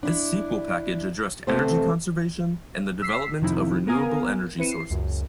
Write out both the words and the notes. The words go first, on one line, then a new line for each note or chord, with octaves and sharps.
This sequel package addressed energy conservation and development of renewable energy sources.
D4 E4
D2 C3 A3 B3 C4 C5
E6 B6 C7
F2 C3 D#3 F3 D#4 E4
B3 A#4 F5 G#5 A#5 D#6
C4 E4 B4 C#7 D#7 E7
C7
C#2 F#2